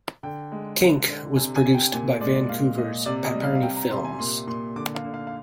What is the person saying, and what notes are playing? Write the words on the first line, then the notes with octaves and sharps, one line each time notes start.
"KinK" was produced by Vancouver's Paperny Films.
D3 G5
G#3
D3
D3
C3 G#5
G#5
C3
G5
A#2 G#5
G#3 D5
A#2 F5
A#2 D#5
C3 D5
D#5
G3
F5
F5
C3 G5
A#5
C3 C6
G#5
A#2 C6
A#2 C6
D3 D6
F5
D3
F5
F5